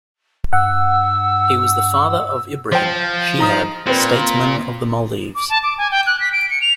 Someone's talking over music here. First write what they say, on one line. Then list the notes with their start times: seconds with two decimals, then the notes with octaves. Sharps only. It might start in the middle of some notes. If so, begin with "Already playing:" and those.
He was the father of Ibrahim Shihab, statesman of the Maldives.
0.53 G2 F#5 E6
2.72 F3 C5 G5
3.39 D#4 A#5 D#6
3.87 A#2 C4 B4
5.35 D6
5.50 A5
5.63 D6
5.78 G#5
5.91 G5
6.07 F#6
6.20 B6
6.32 D7
6.50 C#7
6.62 F7